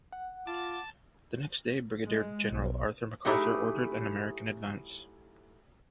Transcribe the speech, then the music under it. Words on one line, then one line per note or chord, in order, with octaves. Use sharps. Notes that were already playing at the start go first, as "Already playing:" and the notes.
The next day, Brigadier General Arthur MacArthur ordered an American advance.
F#5
F4 A5 D6
G#3
B1
F#3 A3 D#4 E4 G4 G#4